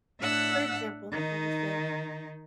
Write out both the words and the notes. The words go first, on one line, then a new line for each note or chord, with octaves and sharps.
for example, I'll just say,
A2 D4 E5 F#5 E6 F#6
D#3 D#4